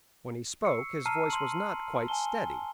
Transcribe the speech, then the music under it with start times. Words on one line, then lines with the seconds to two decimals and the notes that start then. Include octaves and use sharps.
When he spoke his voice was not quite steady.
0.65 C#6 E6 C7 C#7
1.06 A5 A#5 E6 F6 C7 D#7
1.30 C6 F#7
2.08 G#5 A5 G7